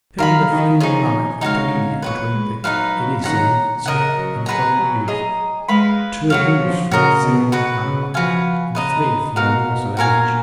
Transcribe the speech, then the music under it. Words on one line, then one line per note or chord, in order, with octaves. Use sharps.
The period of human life intermediate between the idiocy of infancy and the folly of youth--two removes from the sin of manhood and three from the remorse of age.
D#3 A#4 F5 B5
D#3
F3 D#4 G#4 C#5
G#3 D#4 F#4 C#5 F5
G#3
F#3 B4 F#5 C#6
G#3
F#3 D#4 F#4 B4 F5
F#3
D#3 C#5 F#5 A#5
C#3 A#4 D#5 F#5
F#3
G#4 B4 F#5 A#5
F#3
G#4 D#5 A#5
G#3 B4 F5 B5
F#3 F#4 C#5 F5
F3
C#3 F#4 A#4 D#5
B2
F#4 B4 F#5
C#3
F3 F#4 B4 F5 G#5
C#3 B4 D#5 A#5
B2 F#4 A#4 F5
B2
A#2 F#4 A#4 F5 G#5